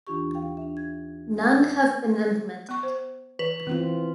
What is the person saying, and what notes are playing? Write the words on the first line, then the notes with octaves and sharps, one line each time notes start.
None have been implemented.
D#2 E3 D4 F4 G4 C#6
F5 G5
D4 E5
G#6
B3 C#6
C5
E3 B4
E3 B3 C4 F4